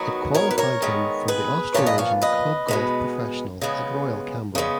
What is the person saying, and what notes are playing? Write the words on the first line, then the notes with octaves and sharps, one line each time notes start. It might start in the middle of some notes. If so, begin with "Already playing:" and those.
It qualified him for the Australasian Club Golf Professional at Royal Canberra.
Already playing: D#3 F#3 B3 D#4 F#4
A#4 C#5
B4
A#4 C#5
D#3 G#3 B3
G#4 B4
A#2 F3 B3 C#5 F5
B4 D#5
C#5 F5
B4 D#5
B2 G#3 B3
C#3 G#3 B3
C#3 G#3 B3